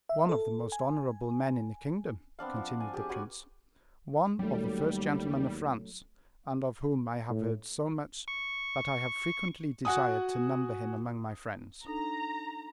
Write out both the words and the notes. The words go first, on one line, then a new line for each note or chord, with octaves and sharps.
"One of the most honorable men in the kingdom," continued the prince; "one of the first gentlemen of France, and of whom I have heard so much that I have frequently desired to number him among my friends."
E5
A4
G#5
B3 C4 D4 F5
F3
G#5
G4 G#4
F#4 B4 D5 G#5
D#2 F#3 G3 A3
A2
C#6
F#4 F#5 G#5 D#6
D4 D#4 A4 A#5